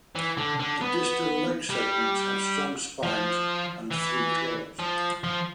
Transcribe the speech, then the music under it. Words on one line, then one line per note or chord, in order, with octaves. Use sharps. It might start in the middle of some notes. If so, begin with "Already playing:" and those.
The distal leg segments have strong spines and three claws.
E3
D3
D3
B3
G3
F3
E3
F3
F3